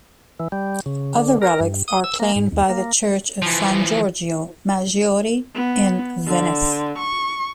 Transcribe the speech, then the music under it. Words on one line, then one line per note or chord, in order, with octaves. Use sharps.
Other relics are claimed by the Church of San Giorgio Maggiore in Venice.
E3
G3
C#3
D3
A#4
G2
D#6
E6
A#3
G#2
D#2
A#3
E3 F3
B3
D3
C#6